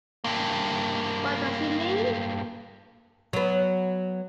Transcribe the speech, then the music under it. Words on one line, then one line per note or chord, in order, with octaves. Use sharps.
What Does It Mean?.
G2 A#3
F#3 B3